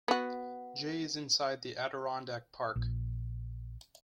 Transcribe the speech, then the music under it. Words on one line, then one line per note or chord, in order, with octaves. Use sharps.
Jay is inside the Adirondack Park.
B3 F#4
A#1